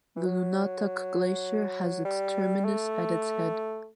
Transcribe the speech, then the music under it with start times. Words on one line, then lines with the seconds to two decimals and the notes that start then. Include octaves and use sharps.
The Nunatak Glacier has its terminus at its head.
0.16 E3
0.26 F#3
2.05 G3
2.64 A3